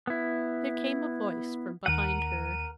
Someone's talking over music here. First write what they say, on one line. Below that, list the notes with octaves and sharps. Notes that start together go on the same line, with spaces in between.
There came a voice from behind her.
B3 E4
D#2 A#4 F#5 D#7